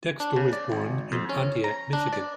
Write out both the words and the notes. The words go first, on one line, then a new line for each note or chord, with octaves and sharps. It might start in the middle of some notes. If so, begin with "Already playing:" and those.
Dexter was born in Pontiac, Michigan.
D4
C#3
D5
G#1
F2
C#4
A#5
D4
D5